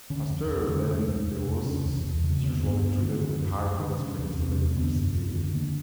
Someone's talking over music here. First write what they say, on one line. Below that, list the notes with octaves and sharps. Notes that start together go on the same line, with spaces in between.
Pasteurellosis is usually treated with high-dose penicillin if severe.
D3 C#4
F2
F2
D3
C3 C#4
F2
F2
C3
C#3 C#4
E2
E2
C#3
D3 C4
G2
B3
G2
C4
D3
D3
F#2
F#2
D3
C3 C#4
E2
C4
E2
C4
C3
D3 B3
F#2
F#2
D3
D3 A#3